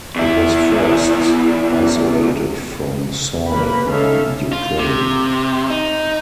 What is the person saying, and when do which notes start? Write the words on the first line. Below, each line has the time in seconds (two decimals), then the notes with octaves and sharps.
It was first isolated from soil in Ukraine.
0.16 E2 E4
3.51 A#3 B4 B5
3.90 C#4 D#4 A4 E5 F5
4.53 F4
4.79 C3
5.70 D#4